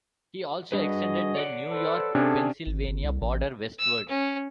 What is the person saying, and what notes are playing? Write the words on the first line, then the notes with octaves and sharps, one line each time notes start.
He also extended the New York - Pennsylvania border westward.
G3 D4 F#4 G#4 B4 D#5
C#5 D5 F#5
A4 B4 C5
C3 C#4 D4 G#4 A4
G#1
G1
C2
A1
E6
C#4